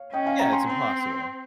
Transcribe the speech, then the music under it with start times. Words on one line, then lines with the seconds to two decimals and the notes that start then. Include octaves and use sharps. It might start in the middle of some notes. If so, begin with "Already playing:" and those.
Yeah, it's impossible.
Already playing: C#5 F5
0.14 C#4 D#5 G5
0.26 F5 G#5
0.39 G5 A#5
0.53 G#5 C6
0.66 C4